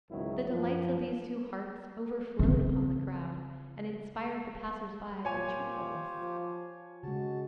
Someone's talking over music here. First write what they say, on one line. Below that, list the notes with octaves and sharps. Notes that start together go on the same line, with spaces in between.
The delights of these two hearts overflowed upon the crowd, and inspired the passers-by with cheerfulness.
G#1 C#2 D#3 F#3 E4
F#2 F3
C#3 C4
A#2 F4 G4 C5 C#5 G#5
F3
C#3 G#3 F#4 A5